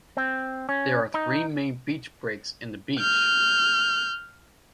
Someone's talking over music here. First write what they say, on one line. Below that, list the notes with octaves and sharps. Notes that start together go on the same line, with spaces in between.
There are three main beach breaks in the beach.
C4
C#4
D#4
F6 G6